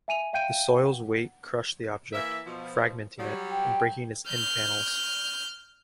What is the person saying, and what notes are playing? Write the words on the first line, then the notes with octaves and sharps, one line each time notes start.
The soil's weight crushed the object, fragmenting it and breaking its end panels.
E5 G#5 D#7 F7
E5 F5 G5 G6 D7 D#7
F#5
E3 A#3 E5
B2 F3
F#3 G3
G5
F6 G6